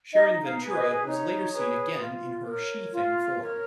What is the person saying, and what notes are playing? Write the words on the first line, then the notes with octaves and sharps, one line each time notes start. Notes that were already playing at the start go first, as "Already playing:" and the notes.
Sharon Ventura was later seen again in her She-Thing form.
D#4 D#5
F5
G#4 B4
D#5
D#4 C#5
G#4 B4
F4
A#4 C#5
F4
A#4 C#5